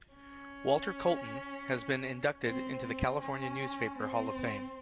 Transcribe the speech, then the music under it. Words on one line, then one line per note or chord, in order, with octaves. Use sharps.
Walter Colton has been inducted into the California Newspaper Hall of Fame.
C#4
C4
C4
C#4
C4